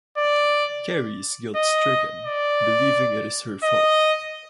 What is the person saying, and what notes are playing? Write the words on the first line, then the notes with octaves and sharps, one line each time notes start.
Carrie is guilt-stricken, believing it is her fault.
D5
D#5
D5
D#5